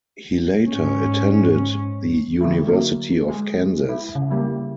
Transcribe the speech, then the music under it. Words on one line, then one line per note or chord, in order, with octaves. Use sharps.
He later attended the University of Kansas.
G#2 C#4
D3 A3 E4
F#3 A#3 D#4
G#3 G#4
E4
C#3
G3 A#3 E4